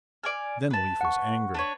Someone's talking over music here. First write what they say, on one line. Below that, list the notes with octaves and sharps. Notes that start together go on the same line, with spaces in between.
Then Leif was angry.
D5 G#5 F6
B4 A5
F#5 C#6
D4 B4 C#5